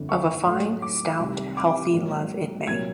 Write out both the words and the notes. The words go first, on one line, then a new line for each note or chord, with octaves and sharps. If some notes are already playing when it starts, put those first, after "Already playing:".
Of a fine, stout, healthy love it may.
Already playing: G1 F2 D3
C#6
A2 F#3 A3
D6
C2 C3 D#3 G3
D6
G#2 D#3 F#3 A#3
C2 A#2 F#3 A#3 G#6